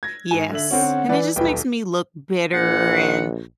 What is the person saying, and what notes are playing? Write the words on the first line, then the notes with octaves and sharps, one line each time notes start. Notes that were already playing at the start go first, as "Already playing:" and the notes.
Yes, and it just makes me look bitter and,
G#6 A#6
G#2 G#5
D3 E5 F#7
D3 C4 C#4 F#5
E3 B4 D5
D#1 B1 B4 G5
A#1 F#5